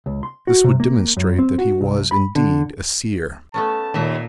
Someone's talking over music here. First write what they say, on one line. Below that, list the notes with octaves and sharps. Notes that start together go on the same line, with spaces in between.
This would demonstrate that he was indeed a seer.
C#2
C6
F#4
C3
A#3
F#2
C4
F#4
C2
B5
D3
A3 B3 C#4 A5
D#2 A#2 D#5 E5